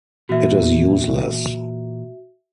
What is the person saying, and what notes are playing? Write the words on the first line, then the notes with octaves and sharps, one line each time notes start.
It is useless.
A#2 E3 F#4 E5